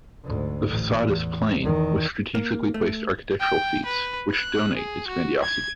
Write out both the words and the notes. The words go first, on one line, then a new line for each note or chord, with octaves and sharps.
The facade is plain with strategically placed architectural feats which donate its grandiosity.
D2 G#2
A1
E2
E2 D#3
A#3
A3
G5
B4
F#6
G#4
F#4
G#6